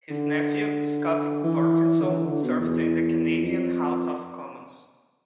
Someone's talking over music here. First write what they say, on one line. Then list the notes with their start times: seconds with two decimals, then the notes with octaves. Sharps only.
His nephew Scott Thorkelson served in the Canadian House of Commons.
0.11 D3
1.44 E3
2.01 D3
2.09 E3
2.26 D3
2.43 B2
2.60 E2
3.42 F2